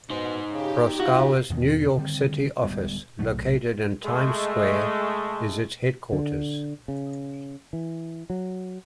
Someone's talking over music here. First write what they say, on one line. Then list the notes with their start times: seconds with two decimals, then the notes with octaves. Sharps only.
Proskauer's New York City office, located in Times Square, is its headquarters.
0.10 B2 D#4 C5
0.52 C#3 G4
1.00 F4 F#4
1.50 E2 B2 D#3
1.97 D3 D#3 G3 C4
2.62 D1 G3 G#3 B3
3.19 B1 A2 F#3 A3
4.05 G#3 A3
6.13 D3
6.88 C#3
7.73 E3
8.30 F#3